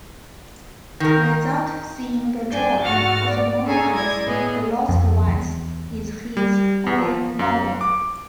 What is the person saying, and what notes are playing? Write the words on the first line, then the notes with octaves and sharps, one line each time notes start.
"Without Seeing the Dawn", also known as "The Lost Ones", is his only novel.
D#3 A#4
G2 D4 G#5 G6
G#2 A3 F#4 F#5 F6 A6
D5
C#4 G#4 A4 G#5 A#5
G#3 E4 D5 G#6 A#6
A2 B3 G#4 D#5
F2
E2
G3
E2
F3
F#2
D6